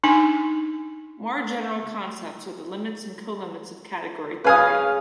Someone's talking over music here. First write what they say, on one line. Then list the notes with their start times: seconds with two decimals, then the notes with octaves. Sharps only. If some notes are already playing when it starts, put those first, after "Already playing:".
More general concepts are the limits and colimits of category theory.
0.04 D4 D#4 G#5
4.44 C#3 B4 F5 G#5 D#6